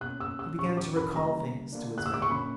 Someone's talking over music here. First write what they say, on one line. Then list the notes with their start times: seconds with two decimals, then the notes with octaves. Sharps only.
He began to recall things to his memory.
0.01 B2 A#3 C#4 F#6
0.20 E6
0.39 E6
0.58 A#2 F#3 C#4 F#4 C#6
0.77 D6
0.96 B5
1.15 C#3 G3 A#3 A#5
1.73 D3 A#3 D4
1.98 F#6
2.06 E6
2.14 D6
2.22 C#6
2.30 A#2 A#3 C#4 B5